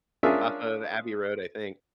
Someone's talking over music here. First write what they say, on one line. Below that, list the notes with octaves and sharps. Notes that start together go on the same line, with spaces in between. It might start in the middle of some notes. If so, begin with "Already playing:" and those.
Off of Abbey Road, I think.
C#4 D4 F4 G#4 A#4 E5